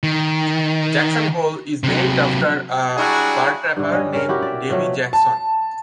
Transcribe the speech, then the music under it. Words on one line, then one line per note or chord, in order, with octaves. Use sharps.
Jackson Hole is named after a fur trapper named Davey Jackson.
D#3
C3 F#3
F#3 G3 D4 E4 F#4 G#4
G2 D3
G3 C#4 D#5
C#4 A#4
E4 F#4 G4 A#4
D5 E5
B2 F3 F#3 A3
A5